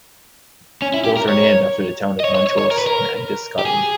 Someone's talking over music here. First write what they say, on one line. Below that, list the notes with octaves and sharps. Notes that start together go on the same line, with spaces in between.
Both are named after the town of Montrose in Angus, Scotland.
C#4
E4
G4
A#4
C#5
D#5
C#5
C#5
C#5
C#5
A#4
B4
A#4
G4
G#4